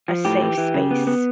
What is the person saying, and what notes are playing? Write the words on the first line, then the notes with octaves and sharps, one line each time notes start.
a safe space
F3
A2 G4
E3
E3
C#3
B3
B3